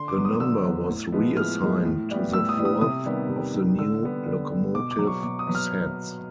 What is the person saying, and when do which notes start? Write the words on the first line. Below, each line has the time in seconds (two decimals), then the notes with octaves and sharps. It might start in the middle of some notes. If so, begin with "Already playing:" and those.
The number was reassigned to the fourth of the new locomotive sets.
Already playing: D3 C6
0.08 D6
0.16 F#3 B3
0.25 D#6
0.40 D3 E6
0.64 F#3 B3
0.89 A2
1.12 F3 G#3 B3
1.37 A2 F6
1.61 F3 G#3 B3
1.85 A2
2.09 E3 G3 B3
2.33 A2 E6
2.49 D#6
2.58 E3 G3 B3
2.65 D#6
2.81 C3 D#6
3.06 D#3 G3 B3
3.29 C3
3.53 D#3 G3 B3
3.78 D3 E6
4.03 G3 B3
4.26 D3
4.50 G3 B3
4.75 B2 D6
4.91 D6
4.98 F#3 B3
5.07 C#6
5.23 B2 D6
5.39 D#6
5.47 F#3 B3
5.55 F6